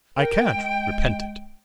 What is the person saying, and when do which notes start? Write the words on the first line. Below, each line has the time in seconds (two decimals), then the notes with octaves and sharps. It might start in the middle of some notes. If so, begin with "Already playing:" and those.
I can't repent it.
0.18 A#4 G5
0.55 G#3